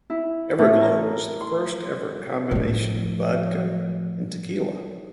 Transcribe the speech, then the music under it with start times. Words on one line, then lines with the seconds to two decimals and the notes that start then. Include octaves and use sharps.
Everglo is the first ever combination of vodka and tequila.
0.10 E4
0.59 A2
0.81 A#4
1.41 C6
2.51 A2 F3